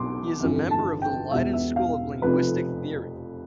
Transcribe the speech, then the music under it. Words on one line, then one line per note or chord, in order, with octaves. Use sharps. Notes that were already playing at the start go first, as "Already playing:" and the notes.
He is a member of the Leiden School of linguistic theory.
Already playing: B1 B2 C6 D6
G1 F2 E3
A5
G5
E1 E2 B2 E5
E5
F5
F1 F2 C3 F3 B4